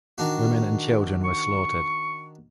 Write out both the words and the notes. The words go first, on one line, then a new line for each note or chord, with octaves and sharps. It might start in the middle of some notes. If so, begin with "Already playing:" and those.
Women and children were slaughtered.
D#3 D4 F#4
C#6